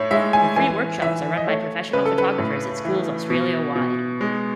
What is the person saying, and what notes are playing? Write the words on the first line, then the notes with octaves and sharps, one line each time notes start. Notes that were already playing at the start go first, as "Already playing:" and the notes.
The free workshops are run by professional photographers at schools Australia wide.
Already playing: A2 C#5
G#3 E5
G#5
E3 G#5
E3 E5
D#5
A3 C#5
C#3 B4
A4
B4
A2
E3
B2
B2
G#3